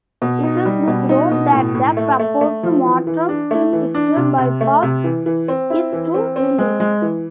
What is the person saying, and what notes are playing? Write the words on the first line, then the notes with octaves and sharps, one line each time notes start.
It is this road that the proposed Mottram-Tintwistle Bypass is to relieve.
B2
D#4
G3
B2
D#4
B2
A2
A2
A3
A3
A3
F3
E3
E3
D4
A3
E3
D4
C3
C3
A3
C3
E3
E3
C4
E4
E3
C4
C4
G#3
G#3
E3